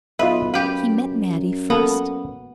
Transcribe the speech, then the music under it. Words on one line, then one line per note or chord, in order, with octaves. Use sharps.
He met Mattie first.
B1 F4 B4 D#5 E5
F#2 G4 B4 F5
A#3 B3 A4